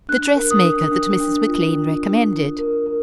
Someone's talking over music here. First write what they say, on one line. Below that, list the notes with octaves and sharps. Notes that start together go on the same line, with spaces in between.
"The dress-maker that Mrs. McClean recommended?"
D4 F#6
A#4
D#6
D4
D4
D4
F4
D4
D4
D4
A#4
A#4